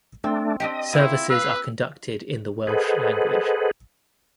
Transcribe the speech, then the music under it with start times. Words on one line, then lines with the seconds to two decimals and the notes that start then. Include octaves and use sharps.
Services are conducted in the Welsh language.
0.24 A3 C4 D4
0.60 C4 D4 G4 D#5
0.93 A#3 C4 E4 F4
1.30 B4 F5 E6
2.67 G#4 A4 B4 C5 D#5 F#5